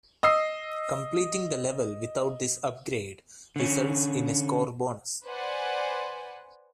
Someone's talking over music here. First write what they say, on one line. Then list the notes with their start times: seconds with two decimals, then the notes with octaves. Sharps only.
Completing the level without this upgrade results in a score bonus.
0.23 D#5 D#6 E6 C7
3.56 D3 C#4
5.25 B4 C5 D5 F#5 G#5